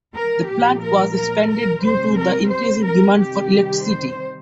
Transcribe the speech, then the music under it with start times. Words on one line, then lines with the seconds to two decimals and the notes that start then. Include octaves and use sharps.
The plant was expanded due to the increasing demand for electricity.
0.14 A#4
0.49 A#2 F3 G4
0.82 A#4
1.16 A#4
1.50 A#4
1.83 C3 G3 C5
2.17 A#4
2.50 C5
2.84 A#4
3.18 C3 D#3 G3 G4
3.86 C5